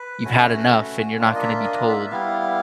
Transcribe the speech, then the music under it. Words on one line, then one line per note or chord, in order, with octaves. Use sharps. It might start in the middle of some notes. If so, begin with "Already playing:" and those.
you've had enough and you're not gonna be told
Already playing: B4
A3 C#4 F#4
A#3 D4 F4
D#5
E5
D#5
E5
G3 B3 E4 F5